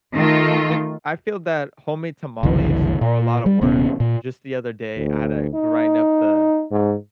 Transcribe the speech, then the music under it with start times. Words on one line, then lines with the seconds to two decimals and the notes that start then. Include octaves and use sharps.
it I feel that homemade tamales are a lotta work. Just the other day, I had to grind up the
0.15 D#3 A3 F4
2.43 F#1 C2 D3 E3
3.01 A#2
3.46 G3
3.61 D#1 C3 B3 C#4
4.00 A#2
4.97 D2
5.54 D#4
6.71 G#2